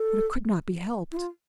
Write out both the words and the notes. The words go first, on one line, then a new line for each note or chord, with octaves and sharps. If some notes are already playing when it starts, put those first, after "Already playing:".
But it could not be helped.
Already playing: A4
E4
F4